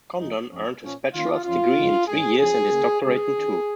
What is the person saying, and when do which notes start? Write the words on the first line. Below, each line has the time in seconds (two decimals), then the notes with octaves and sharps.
Condon earned his bachelor's degree in three years and his doctorate in two.
0.19 F2 C#3 F3 G#3 D#4
0.50 F2 F3 C#4
0.82 A#2 F3 C#4
1.13 D#3 A#3 C#4 F4
1.44 F2 F3 C#4 F4
1.76 F2 C#3 G#3 D#4
2.08 G#2 G#3 C#4 G#4
2.39 F2 F3 C#4 G#4
2.70 C#3 A#3 C#4
3.01 C#3 G#3 C#4 G#4
3.33 D#3 C#4